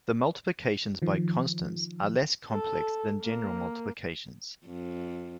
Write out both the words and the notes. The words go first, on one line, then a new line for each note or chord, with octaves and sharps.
The multiplications by constants are less complex than general multiplications.
D#3 F3
A4
A#3
F2